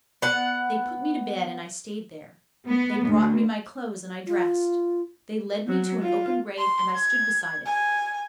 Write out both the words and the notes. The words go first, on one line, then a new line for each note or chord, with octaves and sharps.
They put me to bed and I stayed there; they brought me my clothes and I dressed; they led me to an open grave and I stood beside it.
B3 F#5
B3
D2
F4
F#3
F4
C6
G#6
G#5